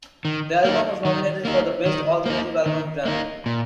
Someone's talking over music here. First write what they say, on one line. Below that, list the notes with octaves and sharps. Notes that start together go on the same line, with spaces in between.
The album was nominated for the Best Alternative Album Grammy.
D#3
A#3 D#4
D#3
A#3 D#4
D#3
A#3 D#4
D#3
A#3 D#4
A#2